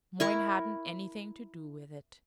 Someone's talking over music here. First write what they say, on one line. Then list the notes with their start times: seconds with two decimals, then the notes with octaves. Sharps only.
Moyne hadn't anything to do with it.
0.20 E4 A#4 C#6